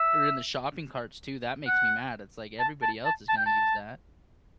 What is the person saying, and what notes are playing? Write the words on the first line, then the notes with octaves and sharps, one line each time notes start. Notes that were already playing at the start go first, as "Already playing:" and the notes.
or in the shopping carts too, that makes me mad, it's like everybody else is gonna use that.
Already playing: E5
F#5
A5
A5
A5
A5
G5
A5